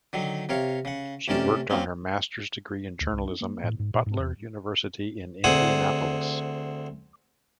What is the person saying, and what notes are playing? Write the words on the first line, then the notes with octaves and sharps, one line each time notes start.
She worked on her Master's degree in Journalism at Butler University in Indianapolis.
D3 D#3 F#3
C3 A#4 C#5 F5
C#3 F#5
A1 C3 C#4 A#4 D5 A5
F#3 A#3 C4 C#4
D2
C2
D4
A#3
A2
G#2
A#2
G#2
E2
D2 C4 G#4 F#5